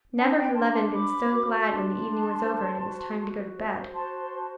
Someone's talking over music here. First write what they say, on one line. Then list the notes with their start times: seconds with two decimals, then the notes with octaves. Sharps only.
Never had Levin been so glad when the evening was over and it was time to go to bed.
0.17 D4 F#5 A5
0.37 G5 B5
0.55 D4 A5 C6
0.74 A5 C6
0.93 C5 B5 D6
1.31 F#4
1.68 D4 A5 C6
2.05 D4
2.43 C5
2.81 F#4
3.19 F#4
3.57 C5
3.94 F#4 A5 C6
4.32 C5